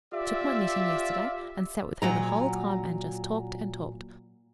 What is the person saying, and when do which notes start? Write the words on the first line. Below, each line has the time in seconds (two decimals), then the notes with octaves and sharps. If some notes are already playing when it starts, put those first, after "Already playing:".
I took my knitting yesterday, and sat with her the whole time and just talked and talked.
0.13 F4 G4 D5 E5
2.02 A#2 F#3 A#5